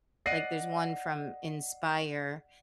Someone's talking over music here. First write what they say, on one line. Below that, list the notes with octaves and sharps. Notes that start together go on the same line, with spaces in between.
like, there's one from Inspire
D5 D#5 F#5 A#6 C7 D#7